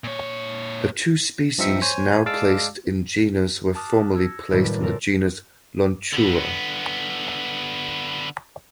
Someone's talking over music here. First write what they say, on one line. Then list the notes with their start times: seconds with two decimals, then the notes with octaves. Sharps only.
The two species now placed in genus were formerly placed in the genus "Lonchura".
0.04 A#2 C#5
1.58 G2 F3 C4 D#4 E5 C#7
1.82 C5 C#5 G#5
2.26 G#3 D5 F5 A5 D6 E6
3.75 A5 D6 D#6 F6 F#6
4.15 E6 G#6 A#6 C#7
4.51 F#1 A2 D#3 G3 D4 B4
4.80 C#3 F4 A4 A#4
6.13 D3 B3